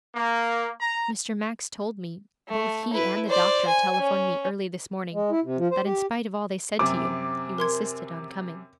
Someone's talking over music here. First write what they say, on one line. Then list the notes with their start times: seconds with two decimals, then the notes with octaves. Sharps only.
'Mr. Max told me--both he and the doctor telephoned me early this morning--that in spite of all they said to you, you insisted on coming.'
0.14 A#3
0.80 A#5
2.49 A3
2.93 E4 B4
3.27 C5 D5
3.67 G#5
3.99 C#4
5.14 G#3
5.31 E4
5.44 C3
5.58 F3
5.72 C5
5.86 G4
6.79 F#2 C3 D6
7.58 A#4 C6 G#6